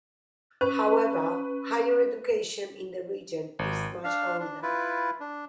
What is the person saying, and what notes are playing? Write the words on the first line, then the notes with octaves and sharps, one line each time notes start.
However, higher education in the region is much older.
C#4 B4
G#1
D4 F5
D4
E4 F4 B4
D4